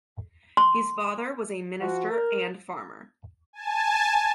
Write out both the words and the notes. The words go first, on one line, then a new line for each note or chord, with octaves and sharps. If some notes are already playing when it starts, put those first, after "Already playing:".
His father was a minister and farmer.
C6
F3 F#4
A#4
G#5 A5